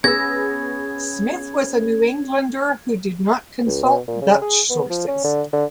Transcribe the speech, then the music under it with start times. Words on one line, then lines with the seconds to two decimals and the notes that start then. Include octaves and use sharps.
Smith was a New Englander, who did not consult Dutch sources.
0.04 B3 C#4 G#4 E6 G#6 A#6
3.67 C#2
3.84 B2
4.08 A#2
4.22 C#3
4.42 G#4
4.70 B3
4.90 F3
5.08 C#4
5.24 D3
5.53 D3